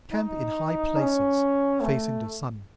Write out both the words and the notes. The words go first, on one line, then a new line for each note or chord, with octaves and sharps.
Camp in high places, facing the sun.
D#4
C#4
A3